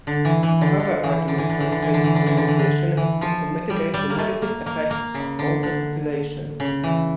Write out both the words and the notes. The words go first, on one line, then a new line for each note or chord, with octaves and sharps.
Another argument for space colonization is to mitigate the negative effects of overpopulation.
D3
E3
E3
D3
D3
E3
D3
E3
D3
E3
D3
E3
D3
E3
D3
E3
D3
E3
D3
E3
F3
G3
G3
A#3
A3
A#3
A#3
A#3
C#3
D3
D3
C#3
E3